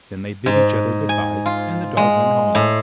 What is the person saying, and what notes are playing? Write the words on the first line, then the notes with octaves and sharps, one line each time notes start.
Then they bid each other good-by and the Dog went home.
G#2
G#5
F4
G#3
A2